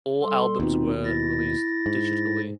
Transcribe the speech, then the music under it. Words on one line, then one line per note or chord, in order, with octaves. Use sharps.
All albums were released digitally.
G3 A4 C6
D#2 B2 C4 D#4 F4
E4 A6 A#6
G#2